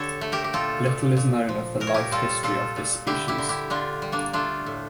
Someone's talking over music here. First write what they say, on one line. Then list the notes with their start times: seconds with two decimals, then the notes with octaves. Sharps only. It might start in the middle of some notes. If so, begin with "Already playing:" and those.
Little is known of the life history of this species.
Already playing: D3 G4 A4 C#5
0.21 A3
0.32 G4 A#4
0.44 G4
0.53 A#2 F4 A4
0.86 A#2
1.17 A#2
1.49 F3
1.80 A#2 A#4
1.87 C#5
1.94 G4 A#4
2.11 G3 F4 A4
2.43 A#2 F4 A4
2.76 A#2
3.07 D3 E4 G4
3.28 E4 G4
3.38 D3
3.49 E4 G4
3.70 D3 D4 F4
4.02 G3
4.12 A#3 D4
4.33 A3 D4 F4
4.66 A2